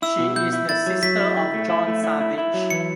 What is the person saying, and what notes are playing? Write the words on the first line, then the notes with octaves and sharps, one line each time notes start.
She is the sister of John Savage.
E4 E6
B2
E4 G6
E4
E4 A6
F#3
F#3 B6
E4
E4
A3
E4
A3
E4
E4
E4
F#3
E3 C#7